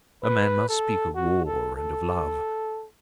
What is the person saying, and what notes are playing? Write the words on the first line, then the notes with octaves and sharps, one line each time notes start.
A man must speak of war and of love.
B4
A4
F#4
A4
A4